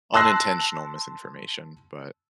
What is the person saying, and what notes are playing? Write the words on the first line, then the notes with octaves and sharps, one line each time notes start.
unintentional misinformation, but
A5 C6 E6 F#6 A#6 C7